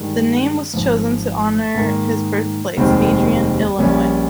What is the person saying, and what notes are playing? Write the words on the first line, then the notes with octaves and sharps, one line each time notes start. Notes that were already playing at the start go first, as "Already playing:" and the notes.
The name was chosen to honor his birthplace, Adrian, Illinois.
Already playing: G2 D#3 G#3
G#1 G#2 F3
G#2 D#3 A#3
F1 D#2 D#3 G#3 C4
A#1 A#2 G3 C#4